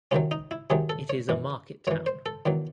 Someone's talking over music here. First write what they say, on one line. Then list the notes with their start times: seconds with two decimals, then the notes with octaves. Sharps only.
It is a market town.
0.11 C2 C3 D#3 F#3 C#4
0.31 D#4
0.51 E4
0.70 C2 C3 D#3 F#3 G#4
0.89 A4
1.10 C#5
1.29 F#2 E3
1.87 F#2 E3 C#5
2.06 C5
2.26 A4
2.46 E2 D#3 F#3